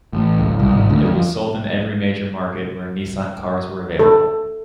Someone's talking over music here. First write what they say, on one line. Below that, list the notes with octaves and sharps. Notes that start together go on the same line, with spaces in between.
It was sold in every major market where Nissan cars were available.
A1
D1
C2
G#1
D2
F2
A4